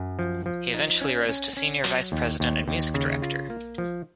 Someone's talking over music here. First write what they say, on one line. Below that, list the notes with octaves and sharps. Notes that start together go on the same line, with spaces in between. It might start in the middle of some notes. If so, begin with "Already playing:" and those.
He eventually rose to Senior Vice-President and Music Director.
Already playing: F#2
F3
F3
D#4
C#4
C#4
C#4
F#3
D#2
D#2
D#2
C#3
F4
A#3
F3